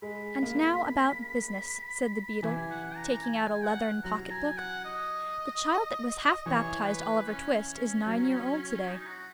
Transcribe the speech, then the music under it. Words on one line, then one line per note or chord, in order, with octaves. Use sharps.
'And now about business,' said the beadle, taking out a leathern pocket-book. 'The child that was half-baptized Oliver Twist, is nine year old to-day.'
G#3 B5
A#3
E3 G#5
F#5
A#5
G#5
G#5
F#5
F#3 A#5
G#5
F#5
D#5
E3 C#5
B4
C#4
F#3
D#4
F#4